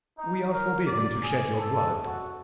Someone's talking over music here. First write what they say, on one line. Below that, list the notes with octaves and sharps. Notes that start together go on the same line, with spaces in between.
"We are forbidden to shed your blood."
D#4
A#4
D5
G#4
A4
F#4